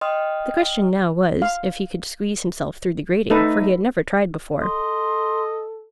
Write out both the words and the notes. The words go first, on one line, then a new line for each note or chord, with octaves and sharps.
The question now was, if he could squeeze himself through the grating, for he had never tried before.
D#5 G5 C6 D#6 F6
F5
A3 D#4 A4 B4
A4 D#5 C6